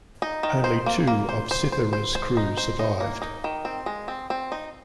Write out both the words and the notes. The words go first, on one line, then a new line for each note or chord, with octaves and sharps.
Only two of "Cythera's" crew survived.
D#4
D#3
C5
A#3
A#3
C5
C5
C5
C5
C5
D#4
C5
D#4
A#3
D#4
D#3
C4
G#3
C4
C4
D#4